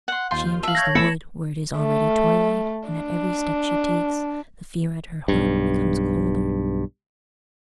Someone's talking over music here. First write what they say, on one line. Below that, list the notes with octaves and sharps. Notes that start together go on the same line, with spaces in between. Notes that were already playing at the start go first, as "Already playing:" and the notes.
She enters the wood, where it is already twilight, and at every step she takes, the fear at her heart becomes colder.
F#5 C6
D#2 F4 C6 G6
E5 F5 A5 F#7
C#5 G6 G#6 A#6 C7
E3 A3 B3 E4 A4 B5 C#7 E7
A3
D4
B1 G2